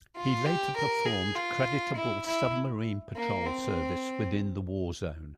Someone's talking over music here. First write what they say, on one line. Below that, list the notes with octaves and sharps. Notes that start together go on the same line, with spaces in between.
He later performed creditable submarine patrol service within the war zone.
F4
G4
A#4
G#4
F4
E4
E4
A#3
C4